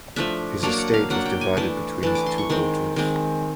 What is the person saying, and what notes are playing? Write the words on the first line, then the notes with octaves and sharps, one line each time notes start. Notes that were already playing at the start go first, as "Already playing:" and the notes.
His estate was divided between his two daughters.
F3 A3 D4 E5
F#3 A#3 D4 F5
F#5
F5
F#3 A#3 D4 F#5
G5
G#5
E3 A3 D4 A5
E3 A3 D4 A5
D6
C6
C#6
D#3 G#3 C4 C6
D#3 G#3 C4